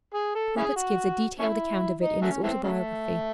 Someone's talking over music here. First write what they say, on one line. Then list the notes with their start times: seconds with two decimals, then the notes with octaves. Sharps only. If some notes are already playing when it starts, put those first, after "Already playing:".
Roberts gives a detailed account of it in his autobiography.
0.14 G#4
0.35 A4
0.57 C#4 E4 G#4
0.76 F#4
1.39 A3 C#4 E4
2.02 D#4
2.22 F#3 A3 C#4
2.43 E3 A3 C4
2.63 C#3 F#3 A3